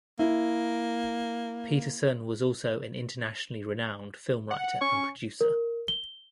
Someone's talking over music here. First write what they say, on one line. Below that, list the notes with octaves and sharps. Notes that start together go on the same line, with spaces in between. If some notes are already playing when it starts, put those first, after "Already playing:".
Peterson was also an internationally renowned film writer and producer.
A#3 E4
F#5
C#4 C#6
A#4
G7